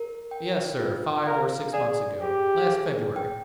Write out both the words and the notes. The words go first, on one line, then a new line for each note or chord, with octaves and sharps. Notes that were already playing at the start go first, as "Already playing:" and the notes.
"Yes, sir, five or six months ago--last February."
Already playing: A#4
G5
F4
A#4 F5
G#4 D5
G4 G#4
G#4
G5